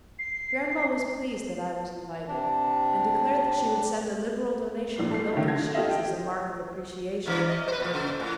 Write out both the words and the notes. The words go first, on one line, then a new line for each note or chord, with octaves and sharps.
Grandma was pleased that I was invited, and declared that she would send a liberal donation of milk and cheese as a mark of appreciation.
C7
C3 D4
A#1 A#2 C7
A3 C7
D#3 A3 C#4 D#4 E4
D3 G#6 A#6
F4 G4 A4 D#5 E5
G4 D#5 G5
G2 C3 E3
D#5
B4 C5
A#2 F3
C#3 C5
A2